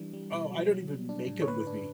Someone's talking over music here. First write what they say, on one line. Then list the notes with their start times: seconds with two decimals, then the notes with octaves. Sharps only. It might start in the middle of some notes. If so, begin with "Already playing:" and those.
Oh, I don't even make 'em with meat.
Already playing: E3 G3 D4
0.13 G3
0.33 B2
0.51 F#3
0.71 F#3
0.89 G3
1.09 D4
1.28 A2
1.42 C#5
1.48 D3 B4
1.67 D4